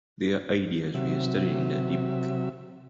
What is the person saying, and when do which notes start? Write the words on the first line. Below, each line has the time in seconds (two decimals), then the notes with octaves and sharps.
Their ideas were studied in depth.
0.95 C3 F#3 E5